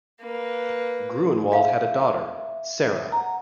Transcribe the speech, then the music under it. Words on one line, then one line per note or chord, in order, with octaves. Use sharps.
Gruenwald had a daughter, Sara.
A#3 B4
A4 E5 F5
F#5 A#5